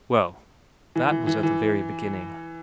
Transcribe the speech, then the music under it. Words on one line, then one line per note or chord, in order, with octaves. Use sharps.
Well, that was at the very beginning.
E3
E3
E3
E3